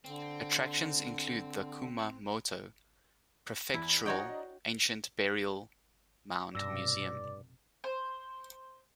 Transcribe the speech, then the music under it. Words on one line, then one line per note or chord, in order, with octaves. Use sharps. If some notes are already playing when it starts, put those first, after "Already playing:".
Attractions include the Kumamoto Prefectural Ancient Burial Mound Museum.
D3 C4
E2 E4
D4 F#4 C#5 D#5 G5 A#5
F1 G2 B2 D5 E6 A#6
C5